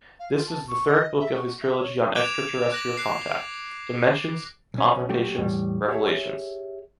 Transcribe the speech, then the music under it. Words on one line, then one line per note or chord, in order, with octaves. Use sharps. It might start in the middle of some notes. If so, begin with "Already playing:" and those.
This is the third book of his trilogy on extraterrestrial contact: “Dimensions”, “Confrontations”, “Revelations”.
F5
F4
A5
C#6
D#5
E5
F#4
E5
C#5
D6 F#6 G#6 D7 E7 F7
F#6 A#6 F#7
F#6 C7
B1 C#4
F#3 A3 G4
E2 A2 G3
G4 G#4 C#5 E5